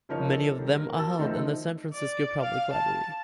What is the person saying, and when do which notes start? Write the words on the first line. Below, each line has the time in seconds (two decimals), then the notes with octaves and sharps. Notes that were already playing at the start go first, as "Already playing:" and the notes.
Many of them are held in the San Francisco Public Library.
0.09 C#3 F3 D#4 A#4 C#5
0.31 C#4 A4
0.58 D#3 G3
0.74 A#3 A#4
0.98 F#4 A5 E6
1.19 D#3 F3 A3 C4 D#4
1.94 D5
2.41 F5
2.73 A5